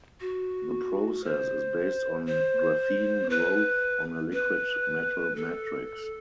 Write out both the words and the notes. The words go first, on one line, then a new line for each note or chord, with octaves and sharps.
The process is based on graphene growth on a liquid metal matrix.
F#4
C5
C5
B4
B4
A4